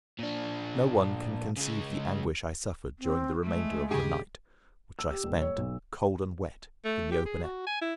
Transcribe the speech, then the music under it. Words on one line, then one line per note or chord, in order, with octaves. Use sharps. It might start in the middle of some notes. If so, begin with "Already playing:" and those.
No one can conceive the anguish I suffered during the remainder of the night, which I spent, cold and wet, in the open air.
A#2 D4
C#3 G#3
C4
G#3 A3
G2 C#3 G4 G#4
E6
G4
D#1
C#5
B1
A3
G4
G#4
F#4
G#5
E4